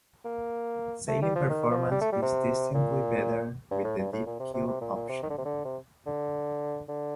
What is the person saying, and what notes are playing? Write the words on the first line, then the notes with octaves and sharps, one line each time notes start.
Sailing performance is distinctly better with the deep keel option.
A#3
A3
G3
F3
D#3
F3
G3
A3
G3
C3
A#2
G2
A2
G2
A2
A#2
C3
C3
C3
A#2
A#2
C3
D#3
D3
C3
D3
C3
D3
D3